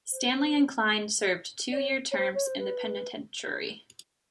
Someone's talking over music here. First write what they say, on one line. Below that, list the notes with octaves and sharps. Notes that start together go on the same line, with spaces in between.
Stanley and Kline served two year terms in the penitentiary.
C5
D5
C#5
C#5
C5
C#5
C5
B4